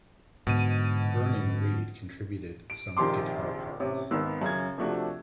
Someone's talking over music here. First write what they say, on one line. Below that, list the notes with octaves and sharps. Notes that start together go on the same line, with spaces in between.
Vernon Reid contributed some guitar parts.
G#2 B2 D3 D#7
D7
A#1 C3 D#3 G4 C6 D6
A1 C3 C#5
G#1 D#3 B3 A#4 E6
F#2 C#3 G#6
C3 F3 A3 D4 F#4